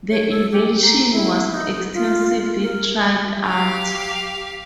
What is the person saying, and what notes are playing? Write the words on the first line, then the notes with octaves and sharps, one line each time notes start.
The invention was extensively tried out.
C#5
A4
G4
A#5
E4
D#4
F4
A#4
G4 F5